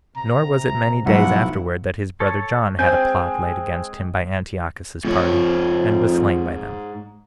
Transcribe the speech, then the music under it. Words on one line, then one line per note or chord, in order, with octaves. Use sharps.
Nor was it many days afterward that his brother John had a plot laid against him by Antiochus's party, and was slain by them.
C3 A#5
B1 F3 G#3 E4 F#5
A4 C#5
G#3 C4 G5 G#5 G6
F2 G#2 C#5